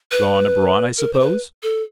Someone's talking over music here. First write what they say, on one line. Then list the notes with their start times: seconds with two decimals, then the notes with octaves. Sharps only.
"Gone abroad, I suppose?"
0.11 B4
0.98 A#4
1.13 C5
1.20 B4
1.63 A4